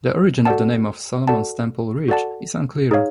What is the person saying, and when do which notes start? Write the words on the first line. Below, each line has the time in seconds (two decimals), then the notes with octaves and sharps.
The origin of the name of Solomon's Temple Ridge is unclear.
0.45 F#4 A4 D5 F#5 A5
1.28 F#4 A4 D5 F#5 A5
2.08 F#4 A4 D5 F#5 A5
2.91 D#4 G#4 C#5 F5